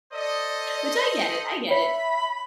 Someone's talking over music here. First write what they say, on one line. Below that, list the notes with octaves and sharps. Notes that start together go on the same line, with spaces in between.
Which I get it, I get it.
A4 C5 D5 D#5
C#5 E5 B5